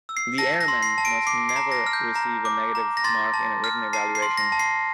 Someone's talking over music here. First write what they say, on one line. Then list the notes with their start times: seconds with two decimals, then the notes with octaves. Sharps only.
The airman must never receive a negative mark in a written evaluation.
0.09 E6
0.17 C7
0.38 A5 A#6
0.61 A#6
0.68 C6
0.83 C7
0.98 A5
1.05 D7
1.27 D6 C7
1.49 C7
1.56 A#5
1.72 A#6
1.87 F6
1.93 G6
2.15 A#5
2.45 D6
2.75 A#5
2.97 A#6
3.04 C6 A6
3.34 A5
3.64 F6
3.93 A5 C7
4.15 C7
4.22 C6
4.37 A#6
4.52 A5
4.59 C7